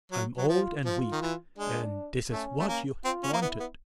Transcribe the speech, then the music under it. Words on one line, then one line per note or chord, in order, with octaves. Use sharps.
I'm old and weak and this is what you wanted.
F#3
F#3
F3 F4
F3 F4
D#3
E3
G#3 D4
A3 C#4
A3
A#3
C4 F4
C#4
A#3
B3 E4
B3